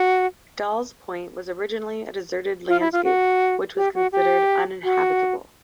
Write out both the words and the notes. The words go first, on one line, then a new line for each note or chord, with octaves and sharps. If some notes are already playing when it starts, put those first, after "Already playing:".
Dolls Point was originally a deserted landscape, which was considered uninhabitable.
Already playing: F#4
F4
E4
F4
F#4
G4
F#4
G4
F#4